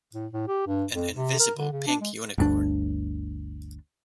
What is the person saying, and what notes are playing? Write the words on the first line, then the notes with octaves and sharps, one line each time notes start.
An invisible pink unicorn.
A2
A2
G4
G2
F2
C3
A#4
D3
C#3
D4
G#3
G1 D2 D4